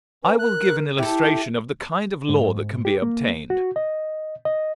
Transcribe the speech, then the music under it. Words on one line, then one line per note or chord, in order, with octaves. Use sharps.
I will give an illustration of the kind of law that can be obtained.
C#4 B4
A#4 F#6
E4 G4 A4 E5
G#2
G4
A#3
F#4
D#5
D#5